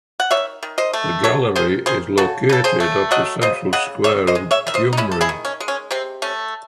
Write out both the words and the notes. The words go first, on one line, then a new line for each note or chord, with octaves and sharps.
The Gallery is located off the central square of Gyumri.
F#5
D#3 C#5 E5
D#3
C5 D#5
A3
F#3 A4 C#5
D#3 G#4 C5
D#3 G#4 C5
C#3 F#4 A4
C#3 A4
G#4 C5
A3
F#3 D#5 F#5
C#3 C5 D#5
C#3 D#5 F#5
D#3 C#5 E5
C5 D#5
G#3
C#5 E5
D#3 E5
C5 D#5
D#4
G#3 C#4 E4
A4
E4 G#4
D#3
C#4
G#3
C#4
C3 C4
A3 C#4